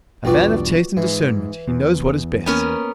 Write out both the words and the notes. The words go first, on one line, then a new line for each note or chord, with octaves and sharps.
A man of taste and discernment, he knows what is best.
B1 E2 G2 F4 F#4 B4 D5 G5
G#2 E3
E2
A#3 B3 C#4 A#4